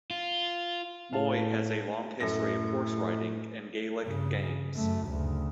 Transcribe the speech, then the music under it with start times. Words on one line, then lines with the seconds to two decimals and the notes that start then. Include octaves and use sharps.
Moy has a long history of horse riding and Gaelic games.
0.11 F4
1.13 A2 F5 A5
2.20 F#2 A2 A4 A#6
4.02 G2 C#3
4.75 F#2 A3
5.07 D2 C#3